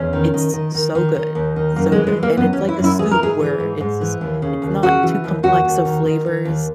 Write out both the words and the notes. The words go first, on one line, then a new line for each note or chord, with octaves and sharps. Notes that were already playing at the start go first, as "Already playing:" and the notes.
it's so good. So good, and it's like a soup where it's just it's not too complex of flavors,
Already playing: E2 C#4
D#3
D#3
D#3
D#3
D#3
D#3
D#2
D#3
F#2 A#3
G#3
E3
G#3
E3
A#3
F#2 B3
C#4
E3
E4
F#2
E4
E3 G#4
A#4
G#2 G#4
E3
G#2
G#2
E3
D#2
C#3
D#2
C#3 F#4
E3
D#2
D#2 F#4
D#2
D#3
D#3
D#3
D#2